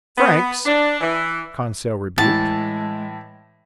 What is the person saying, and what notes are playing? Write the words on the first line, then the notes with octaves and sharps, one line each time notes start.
"Francs!" Conseil rebuked.
B3
D4
E3
A2 E3 G#3 A5